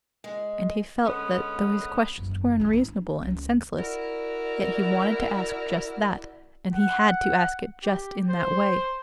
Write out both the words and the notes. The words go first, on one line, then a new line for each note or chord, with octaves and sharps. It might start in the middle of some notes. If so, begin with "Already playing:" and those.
And he felt that, though his questions were unreasonable and senseless, yet he wanted to ask just that, and he had to ask it just in that way.
G#3
D3 G#3 B3 C#4
F#1 E2
A1 E3
D4 E4
C#2
E4 F#4 A#4 D5
F#5
G4
C5